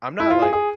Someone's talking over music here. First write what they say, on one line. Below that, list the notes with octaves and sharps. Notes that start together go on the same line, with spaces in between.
I'm not, like
E4
F4
G#4
G#4